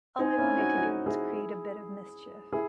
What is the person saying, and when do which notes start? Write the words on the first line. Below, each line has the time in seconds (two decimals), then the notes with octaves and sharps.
All I wanted to do was create a bit of mischief.
0.19 C4 D#4 G#5
0.38 C#4 E4
0.58 D#4 F#4
0.77 D#4 F#4
1.06 E4 G#4
2.53 E4 G#4